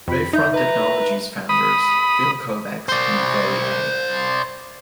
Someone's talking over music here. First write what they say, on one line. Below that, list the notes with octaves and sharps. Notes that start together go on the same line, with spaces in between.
Wavefront Technologies founders Bill Kovacs and Roy A.
F2 F4 B5
D#4 E5 G6
B4 A#5
B5 D#6
C5 D5